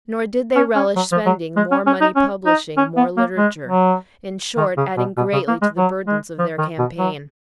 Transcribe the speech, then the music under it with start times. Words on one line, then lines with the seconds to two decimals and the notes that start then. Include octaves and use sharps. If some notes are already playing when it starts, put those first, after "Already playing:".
Nor did they relish spending more money publishing more literature, in short, adding greatly to the burdens of their campaign.
0.56 C#4
0.76 C#4
0.96 F#3
1.12 F3
1.26 F#3
1.57 G#3
1.72 C#4
1.86 C#4
2.01 D#4
2.16 C#4
2.46 D#4
2.77 C#4
2.97 B3
3.17 A#3
3.37 G#3
3.67 F#3
4.57 D#3
4.77 C#3
4.97 B2
5.17 B2
5.33 C#3
5.48 A#3
5.62 G#3
5.77 F#3
6.07 G#3
6.38 F3
6.58 D#3
6.78 B2
6.99 F#3